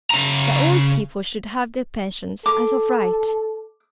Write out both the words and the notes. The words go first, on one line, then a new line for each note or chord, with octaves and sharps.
The old people should have their pensions as of right.
C#3 A#5
A4 D6